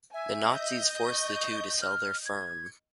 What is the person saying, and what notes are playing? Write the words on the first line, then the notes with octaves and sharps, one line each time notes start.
The nazis forced the two to sell their firm.
E5 G#5
D#5 G6
C#6
F6
G#6